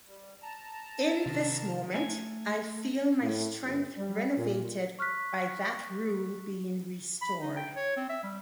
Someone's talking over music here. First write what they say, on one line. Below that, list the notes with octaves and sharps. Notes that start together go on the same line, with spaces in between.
In this moment I feel my strength renovated by that rule being restored.
G3
A5 A#5
C3 D#3
A3 G#5
A2
G1
G3
A#2
C#6 F6 F#6 B6
B5
D#4
G5
C#5
C4
E5
G3